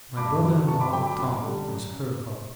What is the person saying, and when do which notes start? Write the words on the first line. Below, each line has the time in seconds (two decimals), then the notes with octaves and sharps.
My brother-in-law, Tom, was her father.'
0.17 G2 B5 D6
0.43 D3 F#3
0.67 G2 A5 C#6
0.80 B5 D6
0.93 D3 F#3 G5 B5
1.06 B5 D6
1.18 F#2
1.43 D3 G3
1.68 F#2